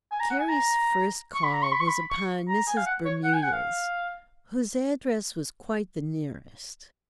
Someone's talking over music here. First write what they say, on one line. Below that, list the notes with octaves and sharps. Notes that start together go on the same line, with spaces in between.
Carrie's first call was upon Mrs. Bermudez, whose address was quite the nearest.
G#5
A#5
F#5
G#5
A#5
C#6
B5
A#5
C#6
B5
C#6
B5
C#6
A#5
G#5
F5
F#5
C#5
F#5
G#5
F#5
F5